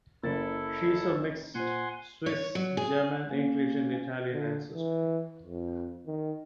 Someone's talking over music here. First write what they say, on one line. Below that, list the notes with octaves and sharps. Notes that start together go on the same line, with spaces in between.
She's of mixed Swiss, German, English, and Italian ancestry.
F#1 E4 A4 A#4 A6
A#2 C5 F#5 G#5 C6
C#5
F#3
G#4
A#3 C#4
D3
E3
F2
D#3